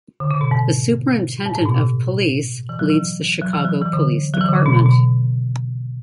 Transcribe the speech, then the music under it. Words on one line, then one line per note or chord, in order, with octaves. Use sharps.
The Superintendent of Police leads the Chicago Police Department.
D3
C#3
B2
G#2
G#2
A2
B2
C#3
E3
F#3
E3
F#3
E3
F#3
E3
D3
F#3
E3
D3
C#3
B2
B2
B2